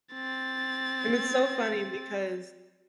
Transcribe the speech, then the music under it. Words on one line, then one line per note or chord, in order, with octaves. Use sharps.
And it's so funny because
C4 A6